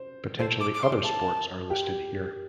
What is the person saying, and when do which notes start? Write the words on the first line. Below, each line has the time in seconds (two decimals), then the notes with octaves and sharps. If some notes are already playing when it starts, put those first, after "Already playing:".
Potentially other sports are listed here.
Already playing: C5
0.39 A4 C5
0.60 D6
0.74 D6
0.83 C6
1.04 A5
1.70 G4